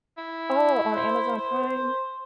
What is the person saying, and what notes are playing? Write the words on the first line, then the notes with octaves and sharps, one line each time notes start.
Oh, on Amazon Prime?
E4
C5
C5